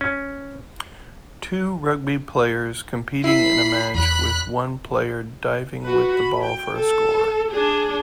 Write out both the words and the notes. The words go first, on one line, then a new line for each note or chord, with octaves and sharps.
Two rugby players competing in a match with one player diving with the ball for a score.
C#4
E4 B5 C7
E2 B5 F#6
F#4 B4
B5
G5
A4
D4 G#4